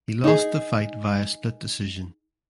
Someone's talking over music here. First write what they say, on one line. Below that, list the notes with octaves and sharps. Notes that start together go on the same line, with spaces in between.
He lost the fight via split decision.
D#4 G#4